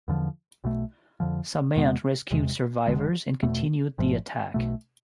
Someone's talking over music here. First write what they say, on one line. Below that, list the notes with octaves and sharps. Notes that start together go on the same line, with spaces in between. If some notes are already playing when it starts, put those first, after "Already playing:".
Samant rescued survivors and continued the attack.
E2 D3 F3
B1 B2 A3
F2 D3 F3
E2 B2 G#3 B3
F1 E2 C3 G#3
F1 E2 D3 G#3
E1 E2 B2 A3
G#1 G#2 F3 A3
B1 B2 A3